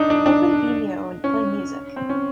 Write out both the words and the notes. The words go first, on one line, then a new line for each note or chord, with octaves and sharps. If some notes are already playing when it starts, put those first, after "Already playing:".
Open Vimeo and play music.
Already playing: D4 D#4
D4
D4
C#4
C4
C#4